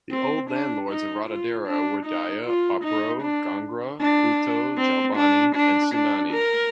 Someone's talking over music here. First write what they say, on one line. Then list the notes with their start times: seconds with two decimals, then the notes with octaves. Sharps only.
The old land lords of Ratodero were Daya, Abro, Ghanghra, Bhutto, Jalbani and sunnani.
0.11 C4
0.50 D4
0.90 D#4
1.28 F4
1.67 D4
2.06 D#4
2.45 F4
2.84 D#4
3.22 D4
4.01 D4
4.78 C4
5.16 D4
5.55 D4
5.94 D4
6.33 A#4